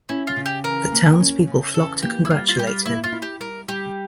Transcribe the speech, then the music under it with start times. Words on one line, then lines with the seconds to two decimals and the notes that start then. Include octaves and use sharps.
The townspeople flock to congratulate him.
0.09 C#4 E4
0.27 F4
0.36 C#3
0.46 G4
0.64 E3 A#4
0.92 A#3
1.20 C#4
1.47 C#3
1.74 E3 A4
2.02 A#3 G4
2.25 E4
2.30 G3 F4
2.48 F4
2.57 G3 G4
2.67 F4
2.86 A#3 E4
3.04 F4
3.12 E4
3.22 G4
3.40 G3 A#4
3.68 G3 G4